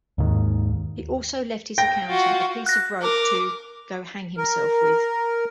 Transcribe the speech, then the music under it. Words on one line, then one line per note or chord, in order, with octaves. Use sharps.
He also left his accountant a piece of rope to "go hang himself with".
D#2 G#2 D#3
G5 A#6
F4 F#4
F#6 A#6
A#4 D6
A#4